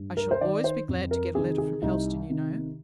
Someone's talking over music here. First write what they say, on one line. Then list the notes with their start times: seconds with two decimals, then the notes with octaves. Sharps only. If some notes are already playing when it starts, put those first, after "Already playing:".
I shall always be glad to get a letter from Helstone, you know.
Already playing: G2
0.17 A#4
0.31 C5
0.41 D#3 D5
0.64 C5
0.89 F2
1.11 A#4
1.35 C3 D#3 G#4
1.58 G#4
1.82 C2 D#4
2.29 C3 D#3